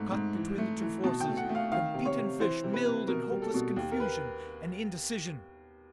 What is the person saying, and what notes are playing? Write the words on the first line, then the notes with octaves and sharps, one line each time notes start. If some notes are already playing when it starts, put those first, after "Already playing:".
Caught between the two forces, the beaten fish milled in hopeless confusion and indecision.
Already playing: G#2 A3
G#2
E3
A3
E3
B2 A5
G5
A3
F#5
A3
F5
D#3 F5
C3
C#5
C3
E3 C5
C3
B4
C3
B2 A#4
G3
A4
B2
D#2
A#4
B4